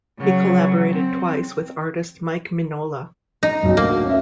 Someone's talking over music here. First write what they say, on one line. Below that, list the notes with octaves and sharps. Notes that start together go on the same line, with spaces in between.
He collaborated twice with artist Mike Mignola.
C#3 F#3
C4
D#4 A#5
F#1 B1
D2 A#3
C#4 E5